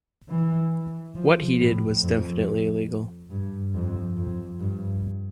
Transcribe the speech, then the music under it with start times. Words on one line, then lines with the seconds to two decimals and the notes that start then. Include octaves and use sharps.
What he did was definitively illegal.
0.29 E3
1.15 F3
1.59 A2
2.02 F2
3.31 G2
3.74 F2
4.17 F2
4.60 G2